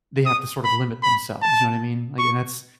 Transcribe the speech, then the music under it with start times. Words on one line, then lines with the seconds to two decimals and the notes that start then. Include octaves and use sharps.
they have to sort of limit themselves, you know what I mean? Like, and that's
0.26 D#6
0.64 B5
1.03 B5
1.42 A5
2.19 C#6